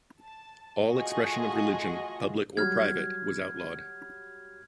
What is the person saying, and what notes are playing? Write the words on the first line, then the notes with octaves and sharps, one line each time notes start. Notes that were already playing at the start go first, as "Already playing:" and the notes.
All expression of religion, public or private, was outlawed.
A5
A3 F4 F#4 G#4 D#5 C#6
F#3 G3 F6 G#6